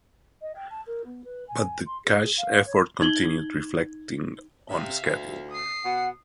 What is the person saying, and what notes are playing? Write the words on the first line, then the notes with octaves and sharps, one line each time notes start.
But the cash effort continued reflecting on schedule.
D#5
G5
A5
A#4
B3
B4
G#5
C6
G#4
F5
C#5
D#4 G#6 F#7 G7
C3 E5 F5
D2
D#6 C7
B2 F#5